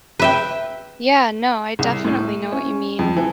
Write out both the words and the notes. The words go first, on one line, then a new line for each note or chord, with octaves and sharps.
yeah, no, I definitely know what you mean,
B4 E5 G5
C2
A2
C#4
F2
E3